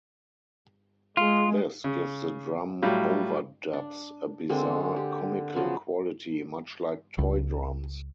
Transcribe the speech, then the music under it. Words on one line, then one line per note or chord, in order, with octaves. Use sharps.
This gives the drum overdubs a bizarre, comical quality, much like toy drums.
G#3 F4
C#3
A2 F#3 G3 F4
D4
D3 G#3 A#3 C4
G4
C#3 F3 F#3 B3
C#2